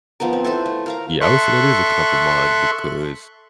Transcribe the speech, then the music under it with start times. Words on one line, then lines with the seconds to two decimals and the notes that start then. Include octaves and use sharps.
Yeah, I would say it is a compromise because,
0.20 F3 B3 D#4 A#4
0.33 C4
0.44 E4 A4 B4 C5
0.66 A3
0.86 A#4 F5 A#5
1.21 A4 E5 C6 C#6 F#6